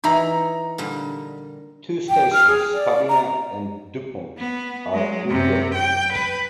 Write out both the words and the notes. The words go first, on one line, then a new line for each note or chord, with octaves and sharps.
Two stations, Spadina and Dupont, are under it.
E3 D#4 E4 A#5
A#2 D3 G3
G5
F6
G#4
D5
A#5
B3
F#3 G#3
F#2 C3
G5
B4